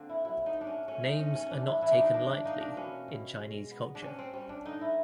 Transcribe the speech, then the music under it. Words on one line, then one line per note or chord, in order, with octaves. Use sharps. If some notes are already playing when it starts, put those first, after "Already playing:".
Names are not taken lightly in Chinese culture.
Already playing: D3 A#3 C4 D4
E4
F#3 E4
D#4
A3 D4
C#4
A3 C#4
D#4
A3 C#4
C#4
E3 D4
E4
E3 E4
D4
D#4
E3 D4
D4
A#3 D#4
D4
B2 C#4
B2
G#3
B3
D4
C4 C#4
C4
G3 C#4
D4
D3 D#4
E4